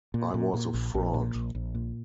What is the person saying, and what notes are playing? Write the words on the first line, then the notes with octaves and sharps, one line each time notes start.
I was a fraud.
A#2
A#2
A#2
A#1
A#1
A#2
A#1
A#1
A#2